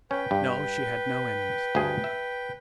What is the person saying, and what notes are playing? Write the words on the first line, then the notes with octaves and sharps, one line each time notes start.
No, she had no enemies.
C#4 B4 G5
G2
D2 G2 G#4
E5